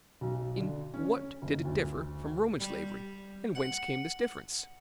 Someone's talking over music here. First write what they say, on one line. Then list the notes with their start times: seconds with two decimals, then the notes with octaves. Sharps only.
In what did it differ from Roman slavery, and whence came this difference?
0.21 B1
0.57 D3
0.94 C#4
1.42 F#1
1.65 D2
2.60 G3
3.55 F#5